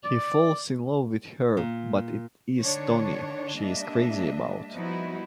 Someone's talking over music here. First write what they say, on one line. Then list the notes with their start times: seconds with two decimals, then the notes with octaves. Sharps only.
He falls in love with her but it is Tony she is crazy about.
0.04 D5
1.57 A#2
2.60 D3 D#3 D4 C#5
3.58 G3 A#3 D4 D#5 E5
4.75 F3 G3 B3 D#4 E4 F#4